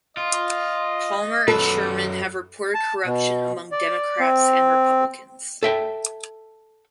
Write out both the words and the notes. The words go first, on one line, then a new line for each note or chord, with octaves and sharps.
Palmer and Sherman have reported corruption among Democrats and Republicans.
F4 D#5
F#2 A4 B4
A5
B2
D5
C4
A4 E5 G5